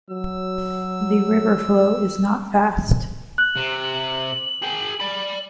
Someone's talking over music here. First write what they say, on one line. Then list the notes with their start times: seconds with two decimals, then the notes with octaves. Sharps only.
The river flow is not fast.
0.10 F#3 E6
3.38 F#6 F#7
3.56 C3
4.62 G#4 G5
5.00 D5 B5